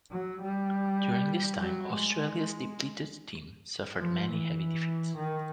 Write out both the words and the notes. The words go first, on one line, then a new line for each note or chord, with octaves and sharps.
During this time, Australia's depleted team suffered many heavy defeats.
F#3
G3
F#3
G#3
F3
E3
D#3